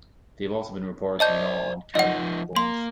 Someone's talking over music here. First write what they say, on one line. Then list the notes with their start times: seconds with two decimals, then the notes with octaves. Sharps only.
They have also been reported to gnaw on carrion and bones.
1.20 C5 D5 D#5 A5 G6
1.95 F3 D#4 D#5 F#5
2.56 A#3 C6